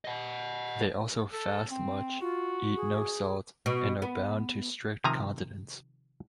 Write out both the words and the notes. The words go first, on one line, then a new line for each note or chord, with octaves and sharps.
They also fast much, eat no salt, and are bound to strict continence.
D#5 F#5
A4
C4
F4 F#4
G#4
B2
B3
C3 D#3 F3 G#5 A#5